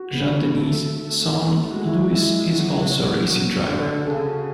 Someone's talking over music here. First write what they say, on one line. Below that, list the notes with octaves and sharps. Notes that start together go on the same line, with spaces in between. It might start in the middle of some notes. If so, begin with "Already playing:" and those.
Jean-Denis's son, Louis, is also a racing driver.
Already playing: F#4
B3
A3
A3
A3
G#3 F#4
E4
E4
F#3
F#3 F#4
D3
C#3 F#4 A4